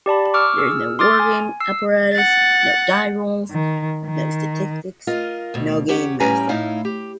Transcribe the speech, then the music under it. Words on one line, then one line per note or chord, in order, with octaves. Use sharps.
There is no wargame apparatus, no die rolls, no statistics, no gamemaster.
G4 D5 A5 B5
C#6 D6 E6 F6
G#4 E6 F6
C6 D6 D#6 F6 A6
G#5
E6 C7
F#5 A6
D#3
D#3
F4 A#4 D#5
D2 B2
E2 C#4 G4 F#5
A2 G3 C#4 B4 G#5 A#5
A2 D#4 E4 F5
G4